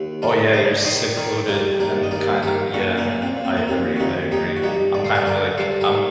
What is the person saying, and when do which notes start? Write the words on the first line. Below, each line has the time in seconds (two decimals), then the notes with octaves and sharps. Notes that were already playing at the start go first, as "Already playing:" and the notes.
Oh, yeah, you're secluded and kind of yeah. I agree, I agree. I'm kind of, like I'm
Already playing: D#2
0.22 D3 A#4 D5
0.53 D3 C5 D#5
0.77 D5
0.85 D#3 C5 D#5
1.16 D#3 A#4 D5
1.48 G2 A#4 D5
1.80 D#2 A#4 D5
2.03 D#5
2.11 D#2 A#4 D5
2.42 D#3 G4 A#4
2.74 A#2 F#4 A4
2.97 A#3 D4
3.06 A#2
3.22 C4
3.37 A#2
3.45 C4
3.57 A#3
3.68 D#2 C4
3.96 F#4
4.00 D#2 C4 D#4
4.31 D#2 D#4 G4
4.57 F#4
4.63 G2 D#4 G4
4.94 D3 D5
5.04 C5
5.15 A#4 D5
5.26 D3 A#4 D5
5.58 G2 A4 C5
5.81 G4 A#4
5.89 D#3